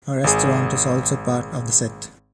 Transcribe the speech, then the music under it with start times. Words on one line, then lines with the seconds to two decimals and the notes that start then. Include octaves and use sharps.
A restaurant is also part of the set.
0.24 G#1 G#4